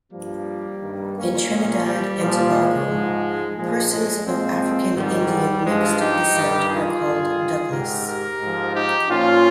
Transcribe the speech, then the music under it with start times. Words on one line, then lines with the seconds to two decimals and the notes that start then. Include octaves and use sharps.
In Trinidad and Tobago, persons of African-Indian mixed descent are called "douglas".
0.12 G2 F3 G3 A#3
0.81 G2 D#3
1.17 A#3 C#4
1.51 A#2 F3
1.86 G3
2.19 A#2 F3
2.54 G#3
2.89 G#2 F3
3.57 A#2 F3 G#3
3.91 G#3
4.26 A#2 F3 G#3 C4
4.95 G#2 D#3 G3
5.65 G2 F3 G#3
5.99 D#4 G4
6.34 G2 D#3
6.68 F4 G#4
7.03 G2 D#3
7.72 G#2 D#3 G4 A#4
8.06 G4 A#4
8.41 G#2 F3
8.75 D#4 G4
9.10 A#2 F3 C#4 F4